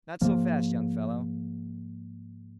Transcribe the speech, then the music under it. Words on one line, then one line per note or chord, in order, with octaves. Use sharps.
Not so fast, young fellow.
G#2 F3 A#3